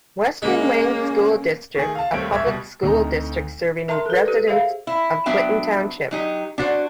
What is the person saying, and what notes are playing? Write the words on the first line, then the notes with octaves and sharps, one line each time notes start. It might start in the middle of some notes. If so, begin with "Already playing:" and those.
Western Wayne School District a public school district serving residents of Clinton Township.
G#3 A#3 C#4
D#3 A3 G#4
F5 A5
D#2 G3 A3 C4 C#5 D7
D1 B1 E5 G#6
B2 G3
D2 A3 C4 D#4 A#5
A#4 E5 A5 A#5 C6
A4 B4
G4 A4 B4 C5 D5
G4 G#4 C5 E5 F5
E4
F#3 B3 D4 E5 G5
F#3 D#4 G4
D4 F#4 C5 C#5